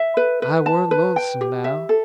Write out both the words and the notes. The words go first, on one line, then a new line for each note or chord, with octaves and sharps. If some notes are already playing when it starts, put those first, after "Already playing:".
I warn't lonesome now.
Already playing: E5
B4
B4
A5
B4
G5
G4
E5
A4